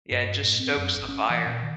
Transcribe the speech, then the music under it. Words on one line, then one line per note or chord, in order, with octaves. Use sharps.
Yeah, it just stokes the fire.
G2
A2
C4
F#2
G#1
C#4
E3
A#2
D#3